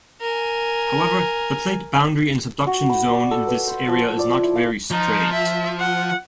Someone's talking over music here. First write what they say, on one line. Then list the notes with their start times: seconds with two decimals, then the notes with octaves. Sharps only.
However, the plate boundary and subduction zone in this area is not very straight.
0.21 A#4 G#5
2.67 F#4
2.89 B5
3.11 D5
3.31 A4
3.47 B4
3.67 C5
3.88 F3
4.19 D5
4.43 E4
4.56 F5
4.91 F3 D#4
5.33 E5
5.79 F#5